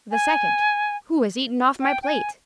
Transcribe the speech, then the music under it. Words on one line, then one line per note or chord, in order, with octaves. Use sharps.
The second, "Who has eaten off my plate?"
G#5
G5
G5
G#5